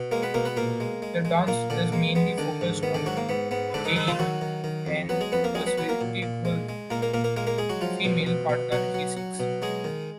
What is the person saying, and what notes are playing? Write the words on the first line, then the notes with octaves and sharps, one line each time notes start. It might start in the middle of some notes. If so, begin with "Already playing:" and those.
The dance is mainly focused on Gaye and a suitable female partner he seeks.
Already playing: B2
G#3 A#3 A#4
B3 B4
B2 A#3 A#4
B3 B4
A#2 A#3 A#4
G#3
G#3
G#3
A#2 A#3 A#4
A#2 D3 D4
G#3 A#3
G#3 B3
D3 D#3 D4
G#2
D#3 B3
D3 D4
G#2 F#3 F#4
A#3
G#2 B3
G#2 B3
G#2 D3 D4
D#3 D#4
D#3 D#4
F3 F4
D#3 F#3 F#4
D#3
D#3
F2
F#3 B3 B4
G#3 G#4
F2 B3 B4
A#3 A#4
F#3 G#3 G#4
B3 B4
F#3 B3 B4
A#3 A#4
A#2
A#2
G#3
G#3
A#2 A#3 A#4
A#3 A#4
A#2 A#3 A#4
A#3 A#4
G#3 A#3 A#4
A#3 A#4
G#3 G#4
F#3 F#4
F3 F#3 F4
B2
B2
B2
B2 F#3 F#4
F#3
F#3
B2
F#3 G#3 G#4
D#3